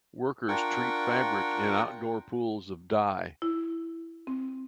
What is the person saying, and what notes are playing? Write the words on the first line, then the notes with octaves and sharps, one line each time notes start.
Workers treat fabric in outdoor pools of dye.
D4 F4 A#4 F#5 G5 C#6
E4
C4